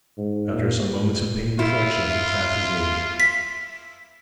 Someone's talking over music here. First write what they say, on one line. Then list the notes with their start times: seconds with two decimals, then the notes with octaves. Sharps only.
After some moments of pained reflection he tapped his knee.
0.17 G#2
0.53 A#2
1.59 E4 F4
3.20 B6